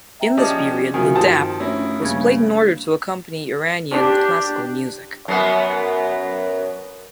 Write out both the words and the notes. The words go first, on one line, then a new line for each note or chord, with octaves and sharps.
In this period the "dap" was played in order to accompany Iranian classical music.
E5 G5 A#5
F3 C#4 G4 G#4 D5 D#5 A5
C3 D#3 F3 F#3 G#3 F#4 G#5
G2 G4 C5 A5 D#6
A3 C#4 D4 E4 A#6
G2 C#3 A#3 D4 G#6
D4 G4
F#2 B3